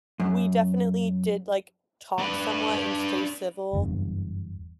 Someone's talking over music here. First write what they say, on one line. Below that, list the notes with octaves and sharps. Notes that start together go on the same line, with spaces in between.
we definitely did, like, talk somewhat and stay civil
F#2
D4 B4
F#1 E2 G2